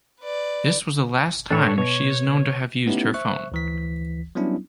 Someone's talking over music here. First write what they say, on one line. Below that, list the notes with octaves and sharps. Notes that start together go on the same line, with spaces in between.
This was the last time she is known to have used her phone.
B4 D5
A2 D4 A4 C#5
B2 C#5
A3 B3 C#4 D#4 E4 G4
C5 E5 C#6 F#6
D2 E3 B6
F#3 G3 B3 C#4 D4 E4